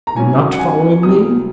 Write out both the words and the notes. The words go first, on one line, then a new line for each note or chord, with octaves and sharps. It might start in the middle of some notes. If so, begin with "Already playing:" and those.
Not following me?
A#5
G#2 F#3 C#4 G#5
F#5
G#5
C2 C3 F#3 D#6